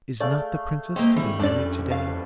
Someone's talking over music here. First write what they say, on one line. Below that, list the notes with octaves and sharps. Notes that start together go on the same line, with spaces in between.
'Is not the princess to be married to-day?'
A3 G#4 D5 F5
A#3 C4 G4 D#5
D#3 G3 G#3 C4 E4
F2 C#4 D4 A4 D5
B3 F5 A5